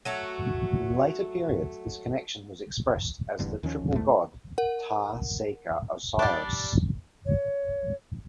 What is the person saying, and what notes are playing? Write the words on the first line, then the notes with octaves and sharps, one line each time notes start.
In later periods this connection was expressed as the triple god Ptah-Seker-Osiris.
F#3 A3 F#4
F1 E2 G2 D3
D#2 D#3 F3 C#4
D2 A2 A3
A#4 F#5
G3 D4
C#5